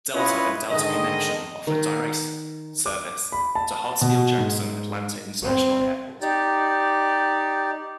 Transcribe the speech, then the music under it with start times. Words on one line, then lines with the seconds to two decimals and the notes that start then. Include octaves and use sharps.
Delta and Delta Connection offer direct service to Hartsfield-Jackson Atlanta International Airport.
0.14 C#4 E4 F4 B4 C#5 D#5
0.70 G#2 D3 D#3 D#5
1.67 D#3
2.86 D6
3.32 B5
3.55 A5
4.01 B2
4.38 G#2
5.43 C4
6.22 D#4 G4 D5